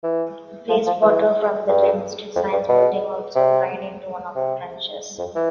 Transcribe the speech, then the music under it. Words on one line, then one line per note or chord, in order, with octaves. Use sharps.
Waste water from the Domestic Science building also drained into one of the trenches.
E3
F3
F3
E3
G2
F2
G2
B2
C3
C3
F2
E3